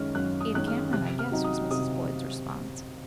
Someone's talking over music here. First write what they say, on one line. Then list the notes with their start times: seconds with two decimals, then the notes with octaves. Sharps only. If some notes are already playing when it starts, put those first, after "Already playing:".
"Ada Cameron, I guess," was Mrs. Boyd's response.
Already playing: F#2 D#3 G#3 C#4 F6
0.15 F#2 F#6
0.41 D#6
0.54 D#3 G#3 C#4 F#6
0.67 F6
0.93 C3 F#6
1.19 F6
1.32 F#3 C4 D#4
1.44 D#6
1.71 C3 D#6